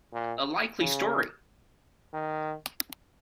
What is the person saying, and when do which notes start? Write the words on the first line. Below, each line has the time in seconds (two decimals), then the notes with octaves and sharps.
A likely story!
0.13 A#2
0.80 C#3
2.14 D#3